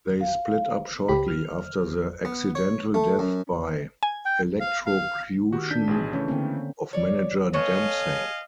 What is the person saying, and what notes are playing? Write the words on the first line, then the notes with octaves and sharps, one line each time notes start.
They split up shortly after the accidental death by electrocution of manager Dempsey.
F5
C#2 G4 B5
F6
B3
C#5
A3
F#2
G#5
G5
F5
F5
D#3 F#4 G4
D4 G6 B6
A1 B2 G#4
C#3 E3 A3 C#4
D3 A#3 C4
C#5 D5
B3 A4 C#5 D#5 F5 G#5